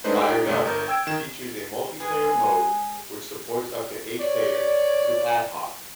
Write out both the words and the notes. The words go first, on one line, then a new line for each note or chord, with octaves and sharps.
"Fired Up" features a multiplayer mode which supports up to eight players, through ad-hoc.
G#3 A3 D4 D#4 B4 C5
D#4 G4 D7
D2 G2 C3 A3
G1 A#4 G6
G5 E6 G#6 D7
D#3 E7
G#3 G#4 B4
C#5 D5